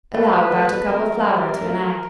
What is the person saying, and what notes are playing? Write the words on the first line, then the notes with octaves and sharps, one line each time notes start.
Allow about a cup of flour to an egg.
A3 B4
A3
G#3 A#4
F#3
G3
A3